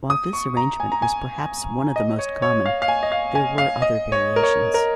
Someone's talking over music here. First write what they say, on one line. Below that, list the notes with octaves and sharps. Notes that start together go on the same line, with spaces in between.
While this arrangement was perhaps one of the most common, there were other variations.
D#6
C#6
A#5
G#5
A#5
G#5
D#5
C#5
C#5
F5
F5
G#5
D#5
F5
G#5
F5
D#5
C#5
A#4
C#5
A#4